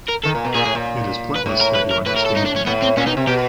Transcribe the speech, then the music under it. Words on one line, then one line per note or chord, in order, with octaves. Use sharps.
It is pointless that you understand me.
A#4
D#3 A4
A#2
B2
A#2 G#4
A2
A#2
B4
A2
A#4
B4
A#4
A2 B4
A#4
A4
D#4
D4
C#4
A2 B3
C4
A#2 C#4
B2 D#4
C3
B2 G4